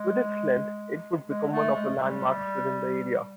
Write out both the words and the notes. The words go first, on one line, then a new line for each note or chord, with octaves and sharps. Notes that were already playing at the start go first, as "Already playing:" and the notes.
With its length, it would become one of the landmarks within the area.
Already playing: G#3
G#3
A3
G#3
G3